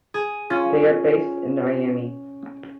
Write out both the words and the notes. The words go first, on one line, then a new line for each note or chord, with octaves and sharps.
They are based in Niamey.
G#4
C#4 F4